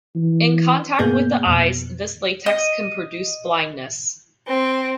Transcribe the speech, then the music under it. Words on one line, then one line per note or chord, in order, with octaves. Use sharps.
In contact with the eyes this latex can produce blindness.
E3
G2 B2 A#3 B3 G#4 G6
F2 B2
D#5
C4